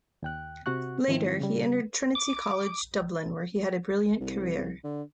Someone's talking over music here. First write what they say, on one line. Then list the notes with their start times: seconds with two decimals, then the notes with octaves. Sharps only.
Later he entered Trinity College, Dublin, where he had a brilliant career.
0.23 D#2 G5 F#6
0.66 C3 F#4 F#5 C#6 F#6
1.08 G#2 D#3 F3 C4 E4
1.40 C#3 G3
2.15 D6
4.21 C2
4.84 D3